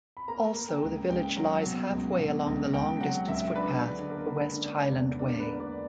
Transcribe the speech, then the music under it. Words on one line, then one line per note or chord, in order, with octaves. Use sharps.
Also the village lies halfway along the long distance footpath, the West Highland Way.
B5
A#3 A#5
A#3
G5
C#2
C#2 G5
F#3
B2
C#2
B2
C#2
C#2 G5
F#3 F#5
C#2 E5
D4 B4
D3
A#3
D3
D4
E2
D4 A#4
B4
A#3
D5